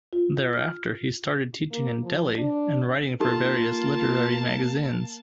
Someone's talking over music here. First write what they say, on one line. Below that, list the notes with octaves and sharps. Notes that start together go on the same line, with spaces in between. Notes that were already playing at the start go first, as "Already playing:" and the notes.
Thereafter he started teaching in Delhi and writing for various literary magazines.
F4
F6
A#3
F3
D4
A#3 D#4 F4 G4 A4 A5